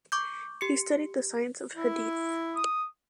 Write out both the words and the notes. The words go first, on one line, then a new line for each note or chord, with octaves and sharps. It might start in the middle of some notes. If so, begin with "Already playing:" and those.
He studied the science of Hadith.
C#6 D6 G6
G4 C#7
E4
D#6